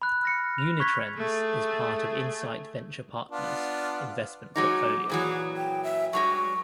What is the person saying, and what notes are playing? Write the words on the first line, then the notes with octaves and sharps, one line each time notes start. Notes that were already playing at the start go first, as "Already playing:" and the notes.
Unitrends is part of Insight Venture Partners investment portfolio.
B5 F#6
F6 A#6 C#7
F7
C#6 F#6 G#6 B6
A3 G#4
B3 D4 F4
F#3 G#3 D#4 D6
A#2 E3 F#3 G#4
G5
E5
G2 F#3 G#3 C#6